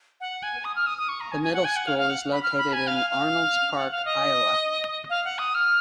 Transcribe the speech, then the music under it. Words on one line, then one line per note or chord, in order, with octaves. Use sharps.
The middle school is located in Arnolds Park, Iowa.
F#5
G#5
D#6
F6
D#6
D#6
C#6
A#5
G#5
G#5
F#5
G#5
F#5
F5
F5
F#5
B5
F6
B5
G#5
F5
F5
F#5
F5
D#5
F5
F#5
D#6
F6